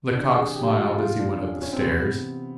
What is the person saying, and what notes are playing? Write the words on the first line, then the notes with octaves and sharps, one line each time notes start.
Lecoq smiled as he went up the stairs.
C3 E3 D4
G#4
G4
F4
F4
D4
C#4
C#4
C4
C3 E3 B3